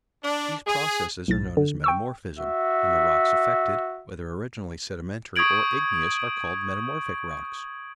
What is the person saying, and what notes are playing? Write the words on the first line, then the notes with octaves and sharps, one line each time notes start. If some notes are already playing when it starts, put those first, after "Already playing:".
These processes are known as METAMORPHISM, and the rocks affected, whether originally sedimentary or igneous, are called METAMORPHIC ROCKS.
D4
G#4
B1 A2 A6
D3
G5 C#6 E6
F#4 E5
C#6 D#6 G6 G#6 D7 F#7